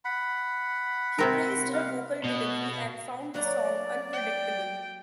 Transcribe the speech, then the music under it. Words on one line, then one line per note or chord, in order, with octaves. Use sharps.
He praised her vocal delivery and found the song unpredictable.
F#5 B5
C3 C4 A#4
G3 F5 F#5
B2
F#3 A#3 D5 F#5
G5